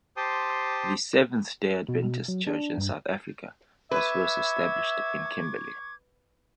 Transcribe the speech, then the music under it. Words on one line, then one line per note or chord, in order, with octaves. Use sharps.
The Seventh-day Adventist Church in South Africa was first established in Kimberley.
G4 C5 G5 A5 C6 D#6
B2
F#3
D4
G2
B4 E5 C#6 D6 G#6